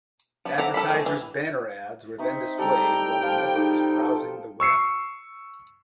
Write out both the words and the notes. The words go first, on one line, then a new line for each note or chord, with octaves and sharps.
Advertisers' banner ads were then displayed while the member was browsing the web.
B3 D4
A4 D5 E5 F#5 A#5
A4 D5 B5
A3 G#4
E3
C4 D#4 E5 C#6
G3 A4 G5 A#5
F3 G3 F4
D#4
A4
C#6 E6 C7 C#7